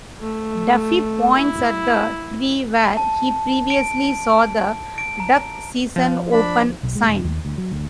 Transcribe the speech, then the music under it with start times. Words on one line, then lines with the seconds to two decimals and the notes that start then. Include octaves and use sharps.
Daffy points at the tree where he previously saw the "Duck Season Open" sign.
0.20 A3
1.35 E4
2.97 A5
3.70 D7
4.98 D7
5.20 A#5
5.96 F3
6.32 D4 B5
6.83 B1
6.95 G#3
7.07 D#1
7.24 D#2
7.45 D2
7.58 F#3
7.71 D2